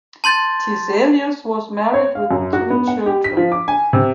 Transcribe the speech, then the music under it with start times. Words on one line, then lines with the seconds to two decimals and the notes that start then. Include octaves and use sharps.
Tiselius was married, with two children.
0.24 A5 C6 G6 A6
1.94 C#5
2.15 F5
2.31 F#2
2.53 F#4
2.70 B3
2.87 F#5
3.06 G4
3.24 B6
3.37 F3
3.52 D6
3.68 G#5
3.93 C3